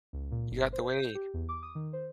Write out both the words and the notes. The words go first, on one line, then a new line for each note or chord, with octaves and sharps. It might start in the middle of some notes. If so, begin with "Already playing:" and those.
You got the way.
C#2
A#2
G1
C5
G6
G4
E2
D6
D#6
D#3
C5